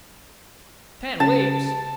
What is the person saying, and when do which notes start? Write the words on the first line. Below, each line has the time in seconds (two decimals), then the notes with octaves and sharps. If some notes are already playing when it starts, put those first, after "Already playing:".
"Ten weeks!"
1.20 C#3 A5